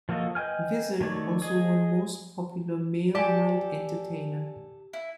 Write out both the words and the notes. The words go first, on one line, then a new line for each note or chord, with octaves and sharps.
Vizard also won Most Popular Male Light Entertainer.
F3 A#3 F#4 A4 D#5
B4 D#5 G5 G#5 F6
D#3 A3 C#5 D5
G#4 D#5
G4 A4 D5 G#5 A5
E4